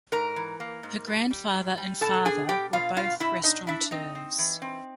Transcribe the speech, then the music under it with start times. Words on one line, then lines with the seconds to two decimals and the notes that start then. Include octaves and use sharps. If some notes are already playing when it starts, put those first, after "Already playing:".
Her grandfather and father were both restaurateurs.
0.12 G#2 A#4 A#5
0.36 E3
0.60 A#3
0.83 G#2
1.07 G3
1.31 G3
1.54 G#2
1.77 G3
2.01 B2 A4 A5
2.25 D4 G#4 G#5
2.49 B2 G4 G5
2.73 B2 F4 F5
2.97 B2 F4 F5
3.20 B2 E4 E5
3.43 D4 D#4 D#5
3.67 D4 E4 E5
3.91 C4 D#4 D#5
4.15 C4
4.39 E3
4.62 C4